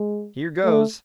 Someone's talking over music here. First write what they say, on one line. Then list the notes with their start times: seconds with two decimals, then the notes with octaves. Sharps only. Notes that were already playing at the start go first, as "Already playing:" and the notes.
"Here goes!"
Already playing: G#3
0.64 A3